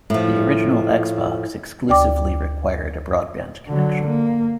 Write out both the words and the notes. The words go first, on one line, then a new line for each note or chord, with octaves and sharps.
The original Xbox exclusively required a broadband connection.
A2 F3
D2 D5 G5 D6
D3 F#3
A#3